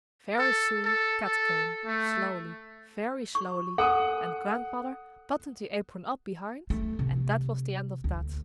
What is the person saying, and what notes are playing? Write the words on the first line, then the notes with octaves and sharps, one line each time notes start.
Very soon Kat came slowly--very slowly--and Grandmother buttoned the apron up behind, and that was the end of that.
A4
A4
A4
A3
C#6
A4 A#4 F#5 G#5 D#6
A3
C3
D2